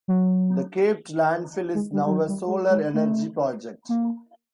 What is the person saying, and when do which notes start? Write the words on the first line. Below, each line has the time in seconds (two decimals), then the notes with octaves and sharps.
The capped landfill is now a solar energy project.
0.08 F#3
1.75 G#3
1.93 G3
2.06 G3
2.11 F#3
2.28 G3
2.47 G#3
2.70 G#3
2.94 A3
3.89 A#3